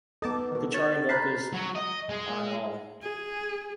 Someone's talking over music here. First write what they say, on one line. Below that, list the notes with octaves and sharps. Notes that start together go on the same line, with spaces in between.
Guitar and vocals on all.
B3 D#4 A4 A5 D6
B2 D#3
C#5 A6
A#4 B4 A5 F#6 G6 B6 C7
F#3
D#5
G#3
G#4